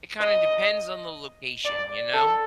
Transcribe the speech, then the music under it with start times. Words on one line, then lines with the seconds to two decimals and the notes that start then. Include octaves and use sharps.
it kinda depends on the location, you know?
0.20 D#5
1.65 D5
2.13 A4